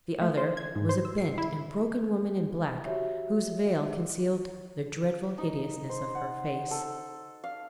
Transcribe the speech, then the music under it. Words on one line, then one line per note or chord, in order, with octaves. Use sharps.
The other was a bent and broken woman in black, whose veil concealed the dreadful hideousness of her face.
A3
C5
G#6
G#2
C5
E6
C7
E4
F#4 G4 C#5 E5
D#4
C5
F#5
A4
F5